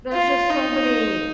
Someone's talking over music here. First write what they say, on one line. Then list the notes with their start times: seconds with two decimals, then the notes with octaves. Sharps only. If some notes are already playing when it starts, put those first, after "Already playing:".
there's just so many
0.13 F4
0.50 D#4